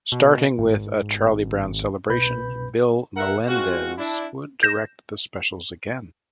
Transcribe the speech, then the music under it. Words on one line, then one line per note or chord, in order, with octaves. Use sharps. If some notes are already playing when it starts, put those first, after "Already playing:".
Starting with "A Charlie Brown Celebration" Bill Melendez would direct the specials again.
B2
G#1
C2 B2 B4 B5 G6
A#4 E5 F#5
G#3 C4 F4 F#4
D4 E4
G6 A#6 E7